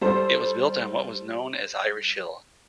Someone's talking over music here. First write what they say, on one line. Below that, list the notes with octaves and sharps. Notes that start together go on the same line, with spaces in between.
It was built on what was known as Irish Hill.
G3 A4 C5